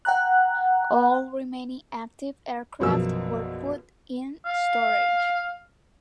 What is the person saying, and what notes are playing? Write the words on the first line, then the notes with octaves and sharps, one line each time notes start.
All remaining active aircraft were put in storage.
F#5 G5 A#5 F#6
A#1 F#2 B2 F3 A#3 E6
F5